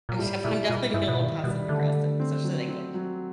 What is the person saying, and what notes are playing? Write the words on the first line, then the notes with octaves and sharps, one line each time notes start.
I'm def I'm definitely being a little passive aggressive, especially like, uh,
A#2
A2 G3
A#2 E4
A#2 G3
G#2 E4
B2
A#2 D#3
B2 G3
D3 A3
A3
C4
F#3
C4
F#3